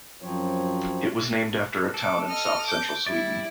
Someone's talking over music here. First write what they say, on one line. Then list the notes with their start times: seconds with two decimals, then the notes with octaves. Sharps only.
It was named after a town in south-central Sweden.
0.22 F#2 F3 F#3 C4 C#5
1.94 A4 D6
2.28 D#5 F6
2.66 D6 G6
3.07 G3 E4 D5